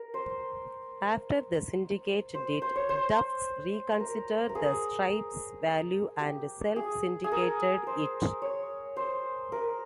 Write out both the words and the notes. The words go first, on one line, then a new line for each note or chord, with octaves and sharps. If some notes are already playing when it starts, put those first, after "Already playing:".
After the syndicate did, Tufts reconsidered the strip's value and self-syndicated it.
Already playing: A#4
C5
C5
C5
C#5
C5
A#4
A#4
G#4
G4
G#4
G#4
A#4
C5
C#5
C5
A#4